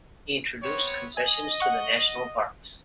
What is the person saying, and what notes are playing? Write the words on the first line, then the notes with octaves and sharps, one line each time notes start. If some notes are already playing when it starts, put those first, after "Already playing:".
He introduced concessions to the national parks.
B3 C4 C#5
D#5 G#5
F#5 C#6